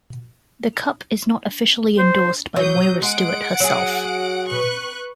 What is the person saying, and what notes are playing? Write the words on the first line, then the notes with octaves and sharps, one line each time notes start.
The cup is not officially endorsed by Moira Stuart herself.
C5
F#3 D#6 G6
G#3 F#5 D7
F#3 G#4
B4 C#6 F#6